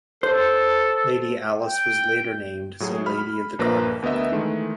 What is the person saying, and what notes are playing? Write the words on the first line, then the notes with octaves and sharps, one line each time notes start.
Lady Alice was later named as a Lady of the Garter.
A4 C5
G5
A2 F#3 G#4
B5 F6
A#1 F3 A#3 B4 A#6
D2 B3 A#4 D#5 E5
D#3 E3 G#3 A3